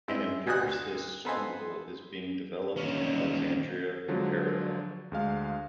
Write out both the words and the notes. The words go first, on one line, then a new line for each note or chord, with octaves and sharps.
An empiricist school is being developed in Alexandria in parallel.
G#3 C4 E4
D2 F#4 G#5 D#6 F#6
B3 A4 B4 C5 D#5 G#5
D#2 C#4
D3 F3 F#3 G#3
D2 G#3 F5